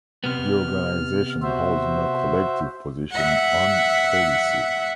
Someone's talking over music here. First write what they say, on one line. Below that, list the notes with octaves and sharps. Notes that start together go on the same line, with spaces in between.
The organisation holds no collective position on policy.
C3 B3 F6
F#4 C5 E5
E5 F#5